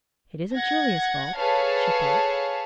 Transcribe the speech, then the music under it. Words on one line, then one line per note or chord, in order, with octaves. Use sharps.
"It isn't Julia's fault," she thought.
F#5 G#6 A#6
G#4 A4 B4 C#5 F5 A5